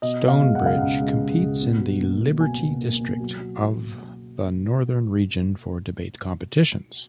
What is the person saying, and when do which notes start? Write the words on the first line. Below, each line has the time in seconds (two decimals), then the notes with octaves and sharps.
Stone Bridge competes in the Liberty District of the Northern Region for debate competitions.
0.02 B2 D#5
0.22 B2
0.28 F5
0.42 G#3
0.55 F#5
0.62 C#2 F5
0.78 C#2 F#5
1.02 G#3
1.22 G#3
1.41 C#2
1.61 B2
1.81 F#3
2.01 A#3
2.20 B2
2.41 B2 G#5
2.61 B2
2.81 A#3
3.00 B2
3.20 F#3
3.40 F#3